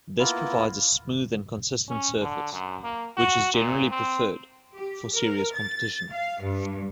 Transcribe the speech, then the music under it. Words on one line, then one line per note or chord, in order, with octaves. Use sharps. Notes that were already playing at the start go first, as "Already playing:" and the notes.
This provides a smooth and consistent surface, which is generally preferred for serious competition.
A#3 B3 E4 F4
C#4
D3
F#2
A#3
F#4
A#2
C4
G4
A#4
A6
F5
G2